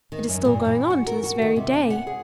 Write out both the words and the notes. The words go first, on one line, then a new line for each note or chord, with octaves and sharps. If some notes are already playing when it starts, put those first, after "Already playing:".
It is still going on to this very day.
D#3
F#2
A#2
E3
F#4
A#4
F#4
D#3
C3
C#4
F#5
G#4